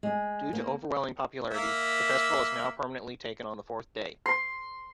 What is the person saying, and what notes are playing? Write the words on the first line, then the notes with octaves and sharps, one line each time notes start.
Due to overwhelming popularity, the festival has now permanently taken on the fourth day.
G#3
A#3
A#3 E5
C6